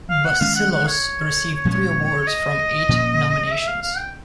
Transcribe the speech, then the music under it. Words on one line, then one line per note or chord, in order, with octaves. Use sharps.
Bacilos received three awards from eight nominations.
F5
F#5
D#3 G#3 C#4 F5
F#5
F#5
C#5
A#2 F3 G#3 C#4
D#5
A#2 F3 A#3 C#4
E5
F5
F5
G5